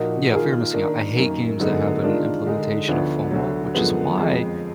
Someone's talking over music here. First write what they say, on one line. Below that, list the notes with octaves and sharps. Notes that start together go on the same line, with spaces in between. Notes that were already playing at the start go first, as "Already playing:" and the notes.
yeah, fear of missing out. I hate games that have an implementation of FOMO, which is why
Already playing: A#2 F3 A#3 D#4 F#4
D#3 A#3 F4 G#4
D#3 A#3 D4
F#2 D#3 A#3
F#2 D3 G#3 B3 D#4
D#3 G#3 D4 F4
D3 G#3 D#4 G#4
D2 D3 F3 B3 D4
D2 D3 F#3
F#2 D3 F3 G#3 B3
F2 F3 G#3